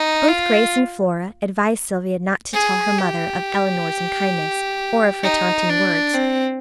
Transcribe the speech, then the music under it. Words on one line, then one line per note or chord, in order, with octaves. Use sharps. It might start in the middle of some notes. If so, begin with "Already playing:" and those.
Both Grace and Flora advised Sylvia not to tell her mother of Elinor's unkindness, or of her taunting words.
Already playing: D#4
F4
G#4
G4
D#4
D4
C4